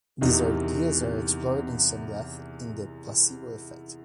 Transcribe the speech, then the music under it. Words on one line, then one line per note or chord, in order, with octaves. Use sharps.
These ideas are explored in some depth in "The Placebo Effect".
E2 C3 D#3 D#4